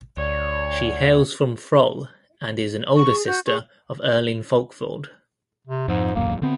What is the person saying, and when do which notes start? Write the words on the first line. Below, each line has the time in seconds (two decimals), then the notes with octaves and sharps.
She hails from Frol and is an older sister of Erling Folkvord.
0.17 D2 C#5 D5
2.96 C#6
3.10 G#4
3.26 F#4 G6
3.46 G#4 C#6
5.67 C3
5.88 F2 G#2
6.15 D#1 A1 F#2 A#3
6.42 D3 B3 C4